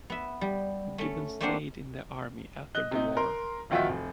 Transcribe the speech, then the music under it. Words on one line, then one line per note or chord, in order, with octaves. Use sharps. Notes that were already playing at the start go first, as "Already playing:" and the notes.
Gibbon stayed in the army after the war.
B3 E5
G3
A3 C#4
A3 A#3 C4 D4 C5 F#5
D#5 F#6 G7
C3 D#4
A#4 C6
D1 A#1 D#3 F4 F#4 E5
F1